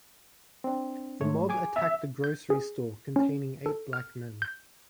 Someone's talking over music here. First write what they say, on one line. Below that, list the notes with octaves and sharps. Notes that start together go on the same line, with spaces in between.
The mob attacked a grocery store containing eight black men.
C4 D4
G#2 A3 C#5
G#4 G#5 D6
E5
G6
G#4
C#4
A4
F6
G6